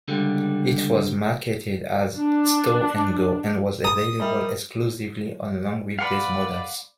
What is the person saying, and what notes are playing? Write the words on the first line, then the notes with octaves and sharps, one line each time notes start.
It was marketed as "Stow 'N Go" and was available exclusively on long-wheelbase models.
C#2 D3 G3
D4
A#5 B5 D#6
G3 A#4 D#5 E5
B4 D5 F5 F#5 B5